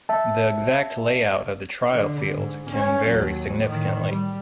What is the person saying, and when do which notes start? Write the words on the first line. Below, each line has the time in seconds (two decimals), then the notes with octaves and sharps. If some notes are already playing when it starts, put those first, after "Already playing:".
The exact layout of the trial field can vary significantly.
0.09 E5 A5
1.92 D3
2.34 G#2
2.71 C#4
3.09 D#2 F#3
3.65 A2 D#3
4.07 G3